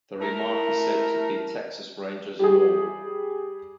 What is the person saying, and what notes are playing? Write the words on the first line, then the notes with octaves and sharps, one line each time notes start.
The remark is said to be Texas Rangers lore.
A3 E4 A#4
G3 G4 G#4